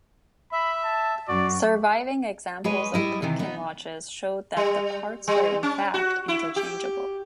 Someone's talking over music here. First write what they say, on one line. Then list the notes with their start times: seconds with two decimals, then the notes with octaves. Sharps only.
Surviving examples of Pitkin watches showed that the parts were, in fact, interchangeable.
0.52 E5 B5
0.84 A5
1.28 F#2 F#4 D5
2.64 G#3 G#4 B4 C#5 D#5
2.94 G3 E4 D#5
3.22 C3 D#3 E3
3.39 B3 D#4
4.57 G3
5.28 G3
5.63 C#4
5.94 F#4
6.28 E4
6.56 G4